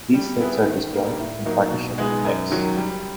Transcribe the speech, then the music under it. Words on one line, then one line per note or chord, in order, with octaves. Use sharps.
These sets are disjoint and partition "X".
G3
B3 E4 G#4 B4
D#3
G3 A#3 D4
A2
F#3 A#3 D#4
B2
G#3 B3 D#4 G#4
F#2
D#3 F#3
G3